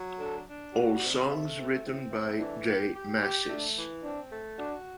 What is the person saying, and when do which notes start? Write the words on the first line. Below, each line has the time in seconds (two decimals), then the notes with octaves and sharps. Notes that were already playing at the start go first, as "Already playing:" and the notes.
All songs written by J Mascis.
Already playing: F#3
0.20 D4 A4
0.47 D4
0.74 G3 F#4
1.02 C3
1.30 A3
1.57 C4
1.84 C4 E4
2.12 A3
2.39 E3 D4
2.67 G4
2.94 G4
3.22 G4
3.49 A3 D4
3.76 E3
4.04 C4 D4
4.31 A3
4.59 D4 F#4